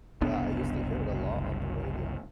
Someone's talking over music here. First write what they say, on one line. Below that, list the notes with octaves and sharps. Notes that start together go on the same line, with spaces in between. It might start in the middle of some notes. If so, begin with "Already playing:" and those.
Yeah, I used to hear it a lot on the radio,
F#1 C2 B3 D4